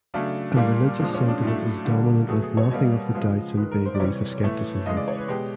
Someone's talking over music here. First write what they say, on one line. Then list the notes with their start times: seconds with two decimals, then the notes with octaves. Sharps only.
A religious sentiment is dominant with nothing of the doubts and vagaries of skepticism.
0.14 C#3 F#3 A3 D4
0.56 A#2 G3 A#3
0.99 A#2 F3 G#3 D4
1.15 C#4
1.28 D4
1.42 A2 F#3 A3
1.85 D3 G3 A#3
2.28 B2 F#3 A3 G#4
2.42 G#4
2.57 C#5
2.71 B2 G3 A#3 D#5
3.15 C#3 F3 G#3
3.57 D#3 G#3 B4
3.71 A#4
3.86 C5
3.95 D5
4.00 C3 E3 G3 C#5
4.43 A2 E3 A3
4.86 C#3 E3 G#3 D#5
4.97 D5
5.08 C#5
5.18 B4
5.28 B2 G#3 G4